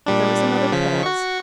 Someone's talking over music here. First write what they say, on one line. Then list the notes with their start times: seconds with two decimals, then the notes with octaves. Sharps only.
There was another pause.
0.06 A#2 G3 D4
0.72 C#3 F3 B6
1.03 F#4 C#6